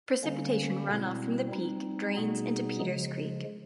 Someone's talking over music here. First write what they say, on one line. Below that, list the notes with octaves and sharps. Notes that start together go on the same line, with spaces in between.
Precipitation runoff from the peak drains into Peters Creek.
D3 G3 A#3 C#4
B2 G3 C4 E4
G3 C4 D#4
B2 G3 B3 D#4 G#4
C#3 F3 G#3